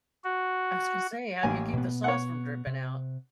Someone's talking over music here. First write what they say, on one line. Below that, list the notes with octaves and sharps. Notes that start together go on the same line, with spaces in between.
I was gonna say, how do you keep the sauce from dripping out?
F#4
A1 A#3 G#5
B2 B3
C#5 F#5
C3